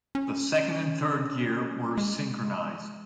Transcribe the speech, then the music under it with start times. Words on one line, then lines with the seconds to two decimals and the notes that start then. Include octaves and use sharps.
The second and third gear were synchronized.
0.15 C#4
1.97 G#3